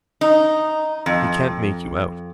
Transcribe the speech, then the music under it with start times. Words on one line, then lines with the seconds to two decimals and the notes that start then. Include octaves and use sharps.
He can't make you out.
0.21 D#4
1.06 F2